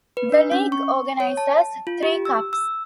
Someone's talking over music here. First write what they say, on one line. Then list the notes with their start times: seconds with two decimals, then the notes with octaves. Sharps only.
The League organises three cups.
0.17 B4
0.32 D4
0.52 C#4
0.72 C#6
1.20 C#5
1.37 A5
1.87 F4
2.03 G4
2.25 E6
2.53 E6